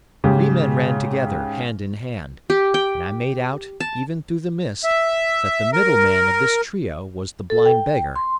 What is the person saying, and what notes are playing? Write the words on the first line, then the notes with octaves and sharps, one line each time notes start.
Three men ran together, hand in hand; and I made out, even through the mist, that the middle man of this trio was the blind beggar.
G#2 C#3 G4
G4
G5
A5
E5
A#4
A4
G5
C6